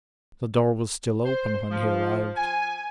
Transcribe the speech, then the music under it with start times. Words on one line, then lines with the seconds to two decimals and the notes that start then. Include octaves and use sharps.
The door was still open when he arrived.
1.24 C5
1.70 F3
2.36 G#5